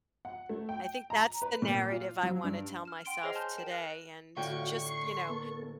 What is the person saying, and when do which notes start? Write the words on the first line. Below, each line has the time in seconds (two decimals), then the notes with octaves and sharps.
I think that's the narrative I wanna tell myself today and just, you know
0.25 F#5
0.49 A3
0.69 G5
1.10 A#5
1.42 B4
1.62 A#2
1.90 F4
2.23 F#3
2.44 G2
2.85 F6 E7
3.05 F#5 G5 C6 D7 G7
3.23 G#4 C5 C#5 D#5 F6 C7
3.35 G#5 A5 C6 F6 G6
3.57 A#4 G5 E7
3.70 F6 F#6 A#6
4.37 A2 D3 F4 F#4 G5 C#6
4.86 C6
5.29 A#3 B3 A4